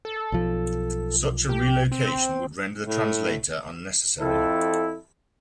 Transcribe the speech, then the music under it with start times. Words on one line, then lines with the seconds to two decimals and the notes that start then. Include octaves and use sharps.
Such a relocation would render the translator unnecessary.
0.05 A4
0.32 B1 F3
1.49 G4
1.92 C4
2.87 A2
4.20 F2 E4 A4